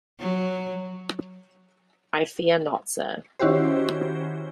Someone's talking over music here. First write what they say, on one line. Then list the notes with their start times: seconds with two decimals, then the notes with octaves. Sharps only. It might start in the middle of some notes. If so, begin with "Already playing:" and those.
I fear not, sir.
0.20 F#3
3.39 D#3 C#4 E4 F#4 G4 C5